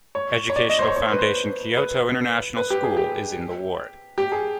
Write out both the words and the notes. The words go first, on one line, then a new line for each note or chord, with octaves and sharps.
Educational Foundation Kyoto International School is in the ward.
C#5
C#5
D5
D#5
C5
C#5
C#5
C5
B4
C5
B4
B4
G4
G#4
G4
G4
G#4